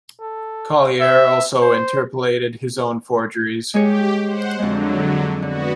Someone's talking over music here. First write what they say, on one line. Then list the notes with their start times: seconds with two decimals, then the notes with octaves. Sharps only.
Collier also interpolated his own forgeries.
0.21 A4
1.01 E5
1.62 C5
3.74 G#3 G4 G#4 C#5
4.25 C5 F#5
4.59 F2 D3 F#3 G#3
5.42 D3 B3 F#4